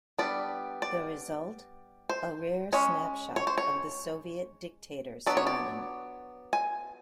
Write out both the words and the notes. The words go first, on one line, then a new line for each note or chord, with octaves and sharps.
The result: a rare snapshot of the Soviet dictator smiling.
G3 B3 D4 D5
D5
C5
G#3 C#4 C#5
C#5
C5
C#5
F#3 B3 D4 D5
C#5
D5
G#5